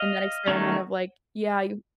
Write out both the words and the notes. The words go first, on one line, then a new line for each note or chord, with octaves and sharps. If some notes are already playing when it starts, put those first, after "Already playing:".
and that experiment of like yeah, you
Already playing: D#5 F5
D#3 F#3 A3 C#4